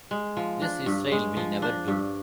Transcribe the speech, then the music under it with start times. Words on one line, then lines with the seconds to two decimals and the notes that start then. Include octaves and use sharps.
This Israel will never do.
0.11 G#3
0.37 F3
0.62 D4
0.86 G2
1.12 G#3
1.37 F3
1.62 D4
1.88 G2